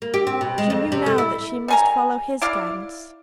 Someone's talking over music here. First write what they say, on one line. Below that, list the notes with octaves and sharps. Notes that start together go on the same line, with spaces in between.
She knew now that she must follow his guidance.
A#3
G4
C4
B2
G#3
F2
C3
A3
E4
G3 G#5 A#5
E4 D5 F5